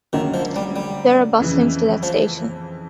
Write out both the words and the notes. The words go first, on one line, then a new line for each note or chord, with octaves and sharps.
There are bus links to that station.
D3 D#3 F#3 A#3 C#4
F3
G3
G3
F2 C#3 E3
F3